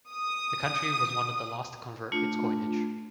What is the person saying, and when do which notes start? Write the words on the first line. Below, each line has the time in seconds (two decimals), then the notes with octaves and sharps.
The country was one of the last to convert its coinage.
0.12 D#6
2.12 A3 D4 F4